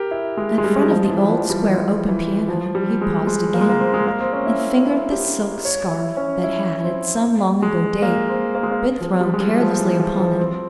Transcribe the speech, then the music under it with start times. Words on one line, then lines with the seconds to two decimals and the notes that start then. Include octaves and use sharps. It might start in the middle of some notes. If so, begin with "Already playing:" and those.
In front of the old, square, open piano he paused again, and fingered the silk scarf that had, at some long ago date, been thrown carelessly upon it.
Already playing: G4 A#4
0.11 E4
0.37 G#3
0.58 G#3
0.64 G3
0.76 G#3
0.83 G3
0.90 F3
1.10 E3
1.29 F3
1.50 G3
1.69 F3
2.09 E3
2.48 F3
2.75 G3
3.01 G#3
3.27 G#3
3.54 A#3
3.61 G#3
3.69 A#3
3.80 C4
3.94 G#3
4.07 A#3
4.21 C4
4.33 C#4
4.46 E4
4.86 E4
5.12 G4
5.65 C#5
5.91 E4
6.17 C#4
6.44 E4
6.84 C4
7.62 G#3
8.02 A#3
8.29 C4
8.55 A#3
8.63 G#3
8.71 A#3
9.01 F3
9.21 G3
9.34 G#3
9.40 G3
9.60 F3
9.80 E3
10.00 F3
10.20 F3
10.39 C4